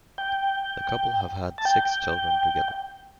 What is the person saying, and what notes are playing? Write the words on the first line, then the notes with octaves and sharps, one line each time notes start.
The couple have had six children together.
G5
A5
G5